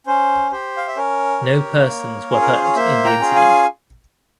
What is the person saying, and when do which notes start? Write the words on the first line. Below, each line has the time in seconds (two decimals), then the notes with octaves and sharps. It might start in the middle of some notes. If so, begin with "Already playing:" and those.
No persons were hurt in the incident.
0.07 C#4 C5
0.52 G4 C5
0.77 F5
0.88 E5
0.96 C#4 A#4 C#5
1.42 G4
1.86 A#3
2.31 C#4 F4 G#4
2.41 A#4
2.52 C5
2.64 C#5
2.76 A#3 C5 E5
3.05 G5 A#5
3.20 C#4 F4 G#4
3.35 F5 G#5